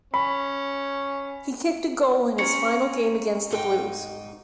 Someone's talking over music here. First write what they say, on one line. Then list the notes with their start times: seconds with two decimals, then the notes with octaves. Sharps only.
He kicked a goal in his final game against the Blues.
0.14 C#4 B5
2.38 C4 C#4 A#4 C#6 C#7
3.50 G#2 D#4 G5